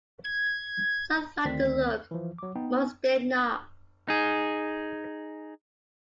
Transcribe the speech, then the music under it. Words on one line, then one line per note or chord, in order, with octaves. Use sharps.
Some liked the look, most did not.
G#6
D2 D#3 C4 D5 B6
E3 F3
F#3 D6
B3 D#4 G5
D#4 G#4